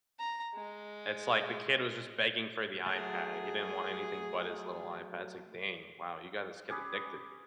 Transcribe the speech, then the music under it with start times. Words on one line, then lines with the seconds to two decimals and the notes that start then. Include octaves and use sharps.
it's like the kid was just begging for the iPad, he didn't want anything but his little iPad. It's like, "Dang. Wow, you got this kid addicted."
0.19 A#5
0.55 G#3
2.86 F#3 A3 G#4
6.69 C#4 G4 G#4 B4